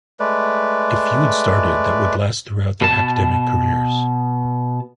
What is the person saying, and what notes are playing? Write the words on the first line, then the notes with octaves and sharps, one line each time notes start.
A feud started that would last throughout their academic careers.
G#3 A3 B4 D5
B2 A5